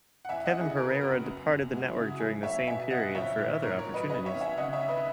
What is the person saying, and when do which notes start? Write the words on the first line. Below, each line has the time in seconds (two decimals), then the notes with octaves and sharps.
Kevin Pereira departed the network during the same period for other opportunities.
0.25 F#5
0.29 E2 E5 G#5
0.46 D#5 F#5
0.54 C#4
0.61 E4 G#4
0.77 C#3 A#4
0.89 B4
1.00 F#1 F#4 A#4
1.24 F#2
1.48 F#2
1.72 G#3 F#4
1.88 E4
1.96 C#3
2.04 F#4
2.20 F#3 E4 G#4
2.43 A#3 C#5 E5
2.67 B2 E5 G#5
2.91 F#1 D#5 F#5
3.15 A#1 C#5 E5
3.39 A#2
3.62 G#2 A#4 C#5
3.78 A#4 C#5
3.86 F#3
3.94 B4 D#5
4.09 C#4 B4 D#5
4.26 C#5 E5
4.34 D#2
4.41 E5 G#5
4.57 C#3 D#5 F#5
4.73 C#5 E5
4.81 D#2
4.89 B4 D#5